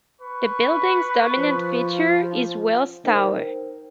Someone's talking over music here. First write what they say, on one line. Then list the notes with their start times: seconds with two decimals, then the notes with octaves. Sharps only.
The building's dominant feature is Wills Tower.
0.21 B4 C#6
1.38 F3
3.05 D#4 A#4 C5 G5